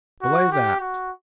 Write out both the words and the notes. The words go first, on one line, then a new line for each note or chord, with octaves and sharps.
"Belay that!"
F#4
G4
F#4